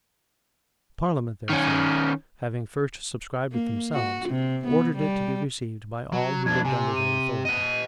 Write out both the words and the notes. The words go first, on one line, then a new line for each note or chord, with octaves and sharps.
The parliament, therefore, having first subscribed it themselves, ordered it to be received by all who lived under their authority.
D#3 C#4
A#3
F#4
C3
B3
G3
F#3
F2 D4 G#6
C3 G#5
D#7
D#5 F#5 D#7